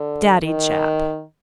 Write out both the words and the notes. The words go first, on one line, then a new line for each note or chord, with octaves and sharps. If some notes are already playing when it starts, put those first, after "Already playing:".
Daddy Jap.
Already playing: D3
D#3